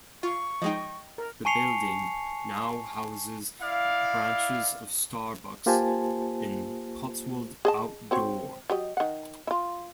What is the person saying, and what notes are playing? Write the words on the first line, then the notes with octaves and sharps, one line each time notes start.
The building now houses branches of Starbucks and Cotswold Outdoor.
F4 F5 C#6
F3 G#3 D#4 D#5 G5
A#4
G#5 A5 C#6 C7 C#7 F7
E4 D5 F5
A#3 F4 G4 C5 G#5 A5
G#4 D#5 A5
C4 F#4 C#5
F#3 G4 D#5
D#3 F#5
E4 F4